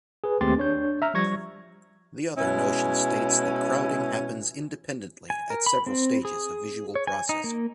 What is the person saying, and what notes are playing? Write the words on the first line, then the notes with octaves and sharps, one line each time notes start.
The other notion states that crowding happens independently at several stages of visual processing.
G#4 B4
D#2 A3 C4 G4 C6 A6
D4 C#5 G6
E5 A#5 F6
F3 G3 C#6 G#6 A#6
B2 G#3 C#4 E4
G#5
A#4
B5
C4
G#4
C#5
G#5
D#4
A#3